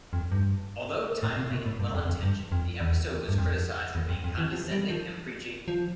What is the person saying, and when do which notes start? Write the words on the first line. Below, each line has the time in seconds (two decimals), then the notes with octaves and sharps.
Although timely and well-intentioned, the episode was criticized for being condescending and preachy.
0.13 F2
0.32 G2
1.23 A2
1.36 C3
1.51 B2
1.66 A2
1.79 G2
1.94 F2
2.09 F2
2.23 G2
2.52 F2
2.80 E2
3.28 G2
3.38 F2
3.95 E2
4.10 F2
4.24 F2
4.38 E3
4.52 F3
4.72 G3
4.90 F3
5.68 F3